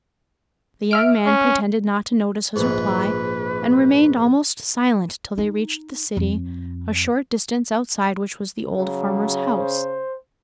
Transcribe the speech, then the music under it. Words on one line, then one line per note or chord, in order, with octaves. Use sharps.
The young man pretended not to notice his reply, and remained almost silent till they reached the city, a short distance outside which was the old farmer's house.
E5 F6 D7
C#4
A#1 G#2 B4
D#4
F2
C#3 F#3
C5